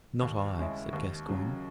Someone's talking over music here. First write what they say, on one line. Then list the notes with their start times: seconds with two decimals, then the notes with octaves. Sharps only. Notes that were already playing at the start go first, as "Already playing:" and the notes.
"Not I," said Gascoyne.
0.22 D#2
0.58 C#3 G#3 C#4 E4
0.93 D#2
1.29 C#3 F#3